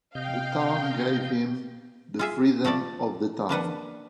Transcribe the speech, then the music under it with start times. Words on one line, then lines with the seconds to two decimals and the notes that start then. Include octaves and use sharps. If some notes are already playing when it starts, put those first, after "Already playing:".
The town gave him the Freedom of the Town.
0.15 C3 D#5 F5 G5 G6
2.19 F4 G#4 E5
2.64 F3 A3 A4 D5
3.49 A#3 D4 B4 F#5